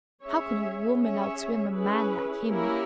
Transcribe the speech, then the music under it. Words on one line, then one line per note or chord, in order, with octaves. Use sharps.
How could a woman outswim a man like him?
C#4 G#4 C#5 E5
C#4 G#4 C#5 E5
C#4 E4 G#4 B4
A#3 C#4 E4 G4 A#4